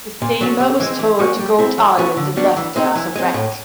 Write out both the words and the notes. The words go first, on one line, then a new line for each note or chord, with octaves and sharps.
The steamer was towed to Goat Island and left there as a wreck.
A#2
F#3 A3 C#4 F#4
C3
E3 G#3 C4
E3
G3 A#3 C#4 F#4
G3
C4 E4
F#3
A3 C#4 F#4
D3
G3 B3 D4 F#4
E3
G#3 C4 D#4
E3
G#3 C4
A2